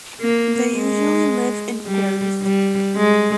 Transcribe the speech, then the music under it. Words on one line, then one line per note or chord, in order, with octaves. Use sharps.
They usually live in pairs.
A#3
G#3
G3
G3
G#3